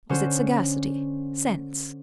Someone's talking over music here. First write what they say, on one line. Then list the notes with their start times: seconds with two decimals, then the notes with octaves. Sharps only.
Was it sagacity?--sense?
0.09 D3 C#4 C5